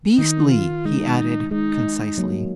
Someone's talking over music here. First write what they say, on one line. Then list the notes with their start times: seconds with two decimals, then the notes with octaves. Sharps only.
"Beastly!" he added concisely.
0.18 D#3 D#4
0.52 F4
0.85 G#3 D#4
1.51 G#3 D#4
2.18 F#3 A#3